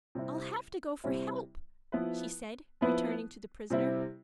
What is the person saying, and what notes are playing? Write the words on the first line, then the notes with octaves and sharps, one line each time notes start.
"I'll have to go for help," she said, returning to the prisoner.
C3 G3 C4 E4
C3 G3 C4 E4
F3 B3 E4 B4
F3 B3 E4 B4
C3 G3 C4 E4